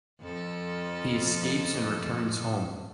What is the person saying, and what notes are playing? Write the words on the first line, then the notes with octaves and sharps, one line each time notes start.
He escapes and returns home.
F2 F3 A4